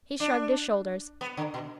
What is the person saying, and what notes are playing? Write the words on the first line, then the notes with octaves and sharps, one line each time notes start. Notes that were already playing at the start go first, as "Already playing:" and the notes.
He shrugged his shoulders.
D4
B3
D3
B2